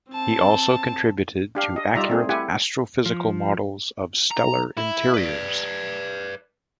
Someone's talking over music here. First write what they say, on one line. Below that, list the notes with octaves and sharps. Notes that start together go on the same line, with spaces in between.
He also contributed to accurate astrophysical models of stellar interiors.
C4 A5
D4 G4 F5
D#5
G3 D#4 F4 D5 E5 A#5
A3 C4 G#4
E4 G4 F#5 G#5
F3
A#5
E4
B4 D5